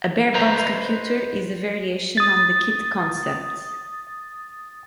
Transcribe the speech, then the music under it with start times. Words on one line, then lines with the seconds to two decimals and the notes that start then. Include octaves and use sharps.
A barebones computer is a variation on the kit concept.
0.34 B4 C5 D#5 A#5
2.17 D#6 A6